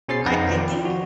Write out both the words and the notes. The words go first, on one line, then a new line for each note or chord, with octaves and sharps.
I I think
B2 C#4 G#4 C5 A6 C7
F2 D#4 B4 F#5 G6 A#6
D#3 F3 F4 D5 G5
F#4